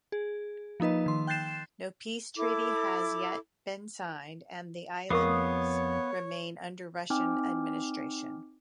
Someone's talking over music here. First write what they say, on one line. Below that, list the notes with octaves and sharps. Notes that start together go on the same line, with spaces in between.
No peace treaty has yet been signed, and the islands remain under Russian administration.
G#4
F3 A#3 D#4 B4 D#5
D#3 C6
G5 F#6 G6 A6 C7 E7
E4 A4 D6
F2 B3 G#4 A#4 C#5 F5 C#6 D#6
C4 D#4 G5 G#5 D6 F6